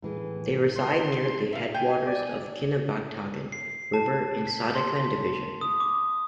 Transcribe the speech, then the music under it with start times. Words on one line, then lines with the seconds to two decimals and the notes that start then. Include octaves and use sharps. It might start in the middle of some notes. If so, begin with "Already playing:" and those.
They reside near the headwaters of Kinabatangan River, in Sandakan Division.
0.02 A2 E3 G#4
0.76 B3 C6
1.53 E5 F5
1.74 G5 G#5
2.07 D5
3.52 C7
3.94 A5
4.47 B6
4.75 C6
4.96 B6
5.61 D#6
5.80 D6